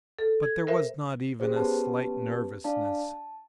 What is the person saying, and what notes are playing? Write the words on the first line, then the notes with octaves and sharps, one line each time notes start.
But there was not even a slight nervousness.
A4
G#6
A#4 C5 E5
C#4 G4 G#4 C5
B3 C#4 G4 B4 A5
D4 D5 F5 A5
A5